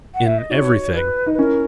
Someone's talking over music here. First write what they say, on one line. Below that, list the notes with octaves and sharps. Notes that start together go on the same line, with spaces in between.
"In everything."
F#5
E5
D#5
D#4 F#4 C#5
B4
D#4
B4
C#4 E4 A#4